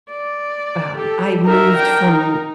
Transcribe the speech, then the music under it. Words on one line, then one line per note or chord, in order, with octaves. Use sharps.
Um, I moved from
D5
G4 A4
D#4 A#4 E5
D4 G5
D#4